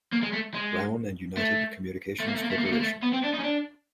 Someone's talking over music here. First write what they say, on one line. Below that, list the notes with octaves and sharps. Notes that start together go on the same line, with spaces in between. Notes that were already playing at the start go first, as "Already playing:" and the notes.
Brown and United Communications Corporation.
A#3
G#3
A3
G#3
A3
A3
A#3
A3
A#3
A3
A#3
A3
A#3
A3
B3
C4
D4
D#4
C#4
D4